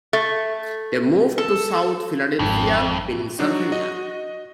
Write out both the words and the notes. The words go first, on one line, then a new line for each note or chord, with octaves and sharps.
They moved to south Philadelphia, Pennsylvania.
A3
A4
G#1 F2
F#3 D4 D#4 F#4
D#5